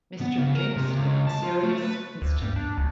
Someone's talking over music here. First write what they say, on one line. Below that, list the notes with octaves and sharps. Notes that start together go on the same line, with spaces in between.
Mr. Jinks looked serious instantly.
B3
C#3
A#4
C3
C#2
A5
F4
A3
B4
D2
G2
D4
C#2